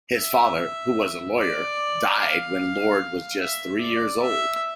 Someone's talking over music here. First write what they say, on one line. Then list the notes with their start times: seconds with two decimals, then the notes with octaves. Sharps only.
His father, who was a lawyer, died when Lord was just three years old.
0.17 E5
1.39 D5
2.20 F5
3.41 E5
3.81 D5
4.22 E5